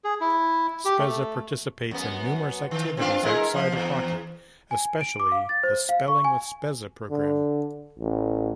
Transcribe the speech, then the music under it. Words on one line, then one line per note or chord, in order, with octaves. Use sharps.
Spezza participates in numerous activities outside of hockey, especially the "Spelling with Spezza" program.
G#4
E4
G4
A3
F#2 B3
D#3
C4 D4 F4
G#3 E4 A#4
F3
E2
G#5
D7
D6
F5
A6
C5
F5
C#6
G#5
D3
A1